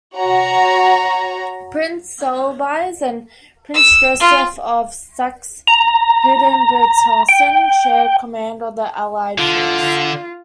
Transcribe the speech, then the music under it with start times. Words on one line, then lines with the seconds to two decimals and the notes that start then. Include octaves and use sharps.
Prince Soubise and Prince Joseph of Saxe-Hildburghausen shared command of the Allied force.
0.16 F#4 C#5 A#5
3.74 E6
4.20 F4
5.68 A#5
7.29 G5
9.38 D3 F4